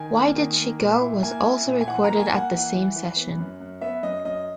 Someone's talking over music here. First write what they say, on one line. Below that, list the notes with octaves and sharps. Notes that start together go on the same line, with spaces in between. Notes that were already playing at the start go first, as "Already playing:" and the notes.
"Why Did She Go" was also recorded at the same session.
Already playing: D#3 G#5
A#3
D#3
A#3
A#2
E4
A#3 G#5
E4
A#2
G#5
E3 F#5
A#5
A#3
G#5
A#3
F#5
E3 F#5
E3
E3
B3
F#2
F#2
B3 E5
F#2 D#5
F#2 D#5